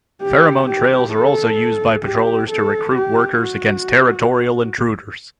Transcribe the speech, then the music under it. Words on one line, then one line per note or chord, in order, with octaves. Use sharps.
Pheromone trails are also used by patrollers to recruit workers against territorial intruders.
G4
G4
A4
G4
A4
G4
F#4